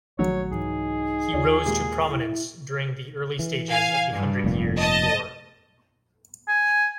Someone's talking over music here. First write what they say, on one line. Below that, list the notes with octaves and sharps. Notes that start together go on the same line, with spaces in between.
He rose to prominence during the early stages of the Hundred Years' War.
A#1 D#3 F#3 A3 C#5
C2 G#2 E3 D#4 G#4
D#2 F4 C#5 D5
A#2 G#3 G4
E4
E3
F5 G#5
G2
F1 A#2
D#5 A5
G#5